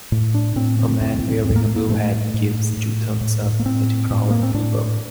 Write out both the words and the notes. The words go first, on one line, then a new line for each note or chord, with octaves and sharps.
A man wearing a blue hat gives two thumbs up at a crowd of people.
A2
D4
A2 C4
C4
A2 C4
A2 C4
A#3
A3
A#3
A2 A3
A2
A2
A2
A#3
A2 C4
A2
A#3
C4
A2 D4